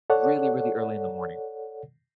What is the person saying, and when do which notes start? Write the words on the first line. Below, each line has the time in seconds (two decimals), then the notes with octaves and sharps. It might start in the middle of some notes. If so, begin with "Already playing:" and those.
really, really early in the morning,
0.10 A4 C#5 D5 F#5